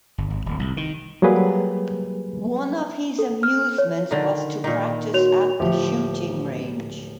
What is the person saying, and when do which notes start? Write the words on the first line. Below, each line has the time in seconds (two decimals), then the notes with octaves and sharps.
One of his amusements was to practice at the shooting-range.
0.18 G1
0.30 G#1
0.46 D1
0.59 C2
0.77 D#3
1.22 F#3 G3 A#3 G#4 B4
3.19 A4
3.43 F6
3.78 C#5
4.11 D3 D#3
4.64 A#2 D#3
5.14 F#4 C#5 F7
5.60 D1 F3 G4 C5 E5